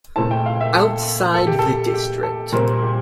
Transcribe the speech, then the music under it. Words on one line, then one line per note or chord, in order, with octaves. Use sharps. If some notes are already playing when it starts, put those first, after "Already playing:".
Outside the district.
A#2 A3 C4 E4 A5
G5
F5
E5
A4
A4
G4
A4
G4
A4
A#2 G3 C4 A#4
G4